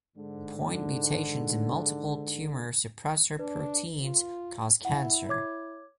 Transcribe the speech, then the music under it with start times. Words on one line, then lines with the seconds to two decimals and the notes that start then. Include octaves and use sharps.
Point mutations in multiple tumor suppressor proteins cause cancer.
0.17 G#2 D3
3.39 D4 B4
4.02 F4
4.85 E4 F#5
5.29 C#5 D6 G#6